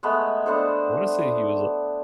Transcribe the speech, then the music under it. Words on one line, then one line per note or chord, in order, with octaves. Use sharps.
I wanna say he was li
G#3 A3 B3
B3 D4 A4 C5